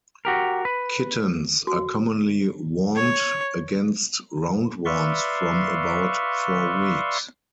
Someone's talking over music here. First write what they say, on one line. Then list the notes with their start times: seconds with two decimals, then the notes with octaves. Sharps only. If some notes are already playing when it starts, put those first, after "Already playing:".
Kittens are commonly wormed against roundworms from about four weeks.
0.25 F#4 G4 A#4
0.65 B4
1.67 F#4
2.96 C#5
4.85 B4 D5 E5 F5 C6 C#6